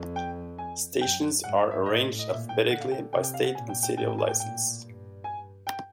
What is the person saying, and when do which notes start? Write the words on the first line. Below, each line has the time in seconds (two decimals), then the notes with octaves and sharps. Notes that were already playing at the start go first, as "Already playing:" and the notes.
Stations are arranged alphabetically by state and city of license.
Already playing: F2
0.16 G5
0.58 G#5
1.01 F#2 G5
1.43 G#2 F#5
1.58 F5
1.71 E5
1.86 A2 D#5
2.19 D#5
2.28 A#2 E5
2.49 G5
2.70 D3 F#5
2.81 F5
2.91 G5
3.12 C3 G5
3.24 G5
3.34 F5
3.45 F#5
3.55 A#2 G#5
3.69 G5
3.83 G5
3.97 A2 G5
4.08 G5
4.18 G#5
4.29 G5
4.40 A#2 G5
4.82 G2
5.24 G#5
5.67 G5